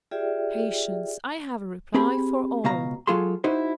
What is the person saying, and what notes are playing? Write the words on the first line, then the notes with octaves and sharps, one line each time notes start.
"Patience, I have a reply for all."
F4 G4 G#4 D5 E5 G5
C4 G4 G#4 B5
C#2 B2 F5 A#5
F#3 G#3 F4 G#4 A4 C6
D#4 E4 F#4 C5